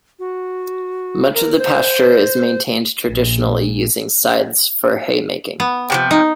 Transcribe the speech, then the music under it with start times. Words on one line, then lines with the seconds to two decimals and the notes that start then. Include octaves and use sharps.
Much of the pasture is maintained traditionally using scythes for hay making.
0.19 F#4
1.34 A#4
1.58 C5
3.07 A#1
5.60 B3
5.90 C3 E3 F3
6.11 D#4